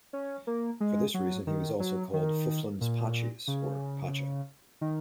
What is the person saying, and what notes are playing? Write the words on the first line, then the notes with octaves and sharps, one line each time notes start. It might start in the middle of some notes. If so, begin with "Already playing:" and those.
For this reason he was also called Fufluns Pachies or Pacha.
C#4
A#3
G#3
F#3
D#3
F#3
D#3
A#2
C#3
D#3